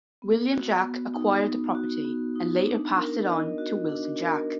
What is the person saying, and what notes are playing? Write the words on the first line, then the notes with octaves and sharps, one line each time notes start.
William Jack acquired the property and later passed it on to Wilson Jack.
B3
F#4
B3
D#4
B3
F#4
B3
D#4
D4
A#4
D#5
F#4
D4
A#4